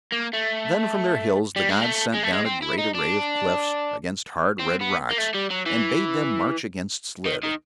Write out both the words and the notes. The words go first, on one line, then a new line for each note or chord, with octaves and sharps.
Then from Their hills the gods sent down a great array of cliffs against hard, red rocks, and bade them march against Slid.
A#3
A3
G3
G#3
A3
G#3
A3
G#3
C4
E4
D#4
D4
C4
B3
A#3
A3
G3
F#3
E3
D#3
D#3